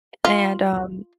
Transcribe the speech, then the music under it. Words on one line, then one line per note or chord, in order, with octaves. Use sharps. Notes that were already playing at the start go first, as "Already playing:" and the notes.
and, um,
F4